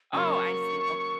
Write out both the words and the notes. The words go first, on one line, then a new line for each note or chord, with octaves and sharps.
oh, I see, okay.
C#3 F#3 A#3 C#6